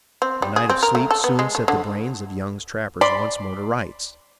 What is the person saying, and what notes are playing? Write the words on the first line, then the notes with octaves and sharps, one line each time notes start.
A night of sleep soon set the brains of Young's trappers once more to rights.
C4
G3
G#4
C4
A#4
A3
A4
B3
G#3
A3
D3
D5 B5 C6